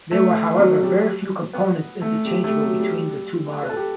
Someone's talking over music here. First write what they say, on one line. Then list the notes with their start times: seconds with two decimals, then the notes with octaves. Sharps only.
There were however very few components interchangeable between the two models.
0.11 A3
0.59 F#3
0.83 G3
1.53 B3
2.01 A3
2.25 G3
2.44 A3
2.48 G3
2.64 F#3
2.80 G3
3.62 B4
3.69 A4
3.76 G4